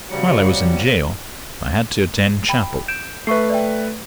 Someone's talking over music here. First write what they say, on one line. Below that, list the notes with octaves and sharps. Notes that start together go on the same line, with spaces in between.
While I was in gaol I had to attend chapel.
C#3 F#3 G3 F#4 A4 C5 F#5
G5 B5
G6 D7 E7
A3 B4 E5 C#6 C7
D5 E5 G5